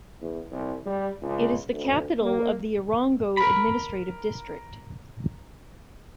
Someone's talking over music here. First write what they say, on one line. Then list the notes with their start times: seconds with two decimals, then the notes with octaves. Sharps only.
It is the capital of the Erongo administrative district.
0.21 E2
0.51 C2
0.86 G3
1.22 C#2
1.72 D2
2.21 A#3
3.37 A#4 B5